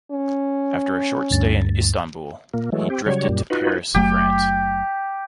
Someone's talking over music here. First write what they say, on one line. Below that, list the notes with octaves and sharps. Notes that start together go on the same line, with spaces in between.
After a short stay in Istanbul he drifted to Paris, France.
C#4
D2 G2 A6
A#2 A#3
E3 F#3 G#3 A3
C4 G4
C#3 F#3 G3 C#5
F#2 A#2 G3
D#4 F4 F#4 B4
F#1 F#3 A3 G4